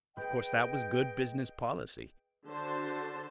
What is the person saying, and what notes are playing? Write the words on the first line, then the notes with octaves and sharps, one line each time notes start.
Of course, that was good business policy.
G#4 B4 D#5 G5
D3 F#4 C5 A5